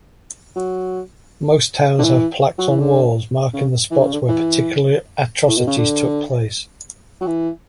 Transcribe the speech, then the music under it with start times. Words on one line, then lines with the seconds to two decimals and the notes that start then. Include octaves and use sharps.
Most towns have plaques on walls marking the spots where particular atrocities took place.
0.56 F#3
1.99 D3
2.04 E3
2.59 F#3
2.69 E3
2.80 D3
3.54 C#3
3.91 E3
3.98 D3
4.05 C#3
4.13 D3
4.28 E3
5.48 A2
5.57 B2
5.67 C#3
5.78 D3
7.21 F#3
7.27 E3